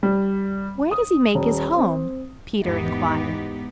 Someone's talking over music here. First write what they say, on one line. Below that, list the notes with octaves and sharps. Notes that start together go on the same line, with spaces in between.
"Where does he make his home?" Peter inquired.
G3
D#6
D#1
C4
E2 G#2 B3 D#4 G4